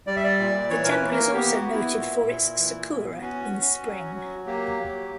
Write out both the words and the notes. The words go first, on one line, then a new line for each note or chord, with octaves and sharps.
The temple is also noted for its "sakura" in spring.
G3 D5
E5
D5
A#2
E3 C#5
A#4
B4
A#3
A#4
B3 G4
F#4
B3
E4
A#2
A#2
E3
B3
C#4 F#4
C#4
F#3
F#3
A#3 G4
F#3